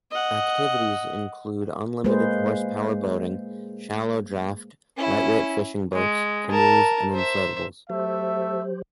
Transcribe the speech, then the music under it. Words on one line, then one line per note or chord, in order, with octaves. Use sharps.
Activities include unlimited-horsepower boating, shallow-draft, lightweight fishing boats, canoes and inflatables.
D#5 F#5
G#3 A#3 G#4 B4 C5
C#4 E4
G#3
A#4 A5
C5 E5
F#3 A3 G4 C5 E5